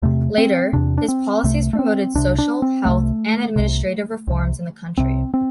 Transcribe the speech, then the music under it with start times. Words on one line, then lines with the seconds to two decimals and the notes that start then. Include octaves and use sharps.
Later, his policies promoted social, health and administrative reforms in the country.
0.02 E2 C3 A3
0.38 C4
0.73 E2 C3 D4
0.98 D4
1.08 C4
1.44 C2 C3 A3
1.73 A3
1.79 C4
2.15 C2 C3 D4
2.38 D4
2.62 C4
2.85 C2 C3 A3
3.56 C2 C3
4.27 C2 C3
4.98 C2 C3 C4
5.34 C4